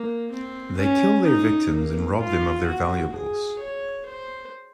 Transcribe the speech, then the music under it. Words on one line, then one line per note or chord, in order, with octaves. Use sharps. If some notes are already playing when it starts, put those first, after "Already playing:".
They kill their victims and rob them of their valuables.
Already playing: A#3
C4
C#4
D#4
A#3
F4
F#4
G#4
C#5
C5